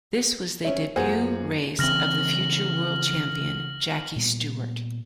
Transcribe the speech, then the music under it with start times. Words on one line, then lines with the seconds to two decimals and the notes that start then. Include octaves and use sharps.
This was the debut race of the future world champion Jackie Stewart.
0.65 C4 C#4 C#5 E5
0.96 F#2 A#2 G#4 C5 F#5
1.79 C#3 E3 C4 F6 A#6 F#7
4.16 A#2 G3 B3